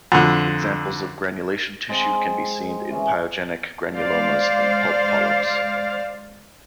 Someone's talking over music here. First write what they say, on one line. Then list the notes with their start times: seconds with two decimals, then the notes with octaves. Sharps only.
Examples of granulation tissue can be seen in pyogenic granulomas and pulp polyps.
0.12 F2 D3
1.89 G#3 C4 C5 D#5
2.90 E3 C#4 G#4
3.97 G#3 C5 D5 F5